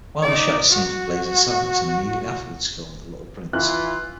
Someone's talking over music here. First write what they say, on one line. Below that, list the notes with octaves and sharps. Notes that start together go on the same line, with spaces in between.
Wilder shot his scenes for "Blazing Saddles" and immediately afterwards filmed "The Little Prince".
D#4 D5
F#4
E3 F4 F#6